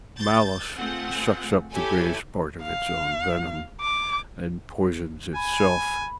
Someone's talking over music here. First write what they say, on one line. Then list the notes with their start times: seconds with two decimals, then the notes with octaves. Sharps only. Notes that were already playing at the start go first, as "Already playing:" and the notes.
Malice sucks up the greatest part of its own venom, and poisons itself.
0.18 G6 A6
0.77 A3 C4 F4 G#4 F#5
1.71 E4 G4 A4 C#5 G#5
2.63 F5
3.81 D6
5.36 G#5 B5